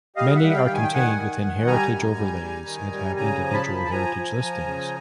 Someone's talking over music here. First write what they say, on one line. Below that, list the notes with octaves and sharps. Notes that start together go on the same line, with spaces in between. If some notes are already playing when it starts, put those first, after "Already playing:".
Many are contained within heritage overlays and have individual heritage listings.
G3 D#5 F5
E5 F#5
G3
F#5
F5 G5
D#3
G#5
G5
D#3 F#5 G#5
D#3
D#3
G3 G#5 A#5
F#2
G3
G3
D#3
G3
C#3 G#5 A#5
F3
A5 B5
F3
A5
F3 G#5 A#5
F3
F3
C#3